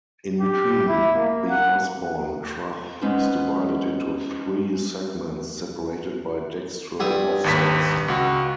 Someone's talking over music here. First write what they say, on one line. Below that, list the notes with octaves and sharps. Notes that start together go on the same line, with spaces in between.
In between the Osbourn Trough is divided into three segments separated by dextral offsets.
G4
E4
A#3
F#5
G#3 B3 C#4 D#4 B4 C5
G2 E5 D#6
G#1 D#2 B6
C#2 F#4